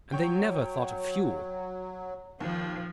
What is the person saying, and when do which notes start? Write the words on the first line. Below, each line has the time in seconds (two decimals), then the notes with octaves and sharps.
And they never thought of fuel.
0.12 F#3 C#5 G5
2.40 D#2 F3